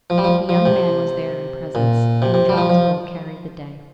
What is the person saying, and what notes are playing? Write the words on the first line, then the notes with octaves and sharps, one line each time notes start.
But the young man was there in presence; and John's will carried the day.
F3
G3
F3
F3
C3
A#2
C3
C3
G3
F3
F3